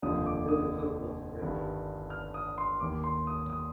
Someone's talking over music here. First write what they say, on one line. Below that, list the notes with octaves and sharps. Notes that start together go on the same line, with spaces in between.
Fielder Cook was the director.
F1 D#2 D3 F3 D#6
D6
D#6
G1 G2 D#3
F6
D#6
C6
D#2 D#3 D6
C6
D#6
D#6